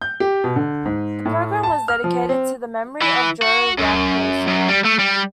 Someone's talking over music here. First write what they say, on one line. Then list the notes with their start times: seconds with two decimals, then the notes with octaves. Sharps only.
The program was dedicated to the memory of Joe Raposo.
0.02 G6
0.20 G4
0.44 B2
0.56 D3
0.85 G#2
1.25 A2
1.63 A5
1.88 F6
2.04 F3
2.29 C4
3.02 E3
3.42 F#4
3.78 F#2
4.47 F#2
4.68 G3
4.84 A3
4.99 G3